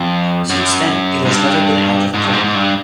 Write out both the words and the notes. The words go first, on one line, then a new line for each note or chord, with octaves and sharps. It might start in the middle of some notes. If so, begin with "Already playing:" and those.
Since then, it has never been out of print.
Already playing: F2
F#2
G#2
G2
G#2
G2
G#2
G#2
G2